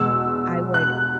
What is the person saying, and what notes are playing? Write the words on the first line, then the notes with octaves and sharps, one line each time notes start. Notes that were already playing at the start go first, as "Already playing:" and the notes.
I would
Already playing: E2 B2 G#3 E6
F#6